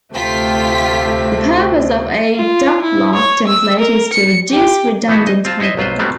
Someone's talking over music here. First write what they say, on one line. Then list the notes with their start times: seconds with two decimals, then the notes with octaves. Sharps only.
The purpose of a DocBlock template is to reduce redundant typing.
0.14 D2 C3 A3 F4 G5 B6
2.35 F4
2.82 E4
3.15 C#5
3.47 E6
3.79 A#4
4.13 C#7
4.51 G4
5.08 E3 A3 B3 D#4 E4 F#4
5.27 D#5
5.45 C4 F4 A5
5.60 D#4 E4 C5 D#5 E5
5.77 B1 F#3 F4 B4 C5
5.99 F#3 G3 A3 B3 C4 D4